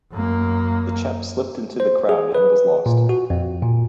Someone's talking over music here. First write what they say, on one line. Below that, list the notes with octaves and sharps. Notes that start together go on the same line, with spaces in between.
The chap slipped into the crowd and was lost.
F#2 A#3
C5
G#4
B4
A#2
F#4
F2
A#2